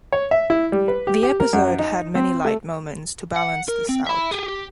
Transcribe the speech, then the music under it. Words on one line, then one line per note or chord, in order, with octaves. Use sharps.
The episode had many light moments to balance this out.
C#5
E5
E4
G3
B4
G4
G4
A#4
F#2
D#4
C4
A3
F#5
A#4
C4
E5 B5
G4 G#4
G4